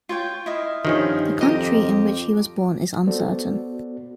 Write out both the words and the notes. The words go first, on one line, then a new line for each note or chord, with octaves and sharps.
The country in which he was born is uncertain.
F4 C#5 G5
E4 D#5 F5
G2 D#3 F3 C#4
F2 G4 D#5 A#5
B3 F#4 A4 C5 D5